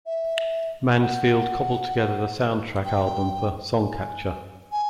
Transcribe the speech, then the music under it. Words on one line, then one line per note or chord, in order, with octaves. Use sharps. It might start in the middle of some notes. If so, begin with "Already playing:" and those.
Mansfield cobbled together the soundtrack album for "Songcatcher".
E5
F#5
G5
G#5
G#5